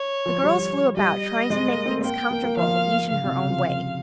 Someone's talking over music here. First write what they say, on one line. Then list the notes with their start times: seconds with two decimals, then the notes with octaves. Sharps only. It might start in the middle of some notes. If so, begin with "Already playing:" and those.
The girls flew about, trying to make things comfortable, each in her own way.
Already playing: C#5
0.26 F3
0.43 G3
0.97 G3 D#5
1.50 G#3
1.68 A#3
1.86 C4
2.04 A#3 G5
2.31 A#3
2.44 A#3
2.57 F3 F5
3.11 C#3 F5
3.24 C3
3.37 C#3
3.50 F3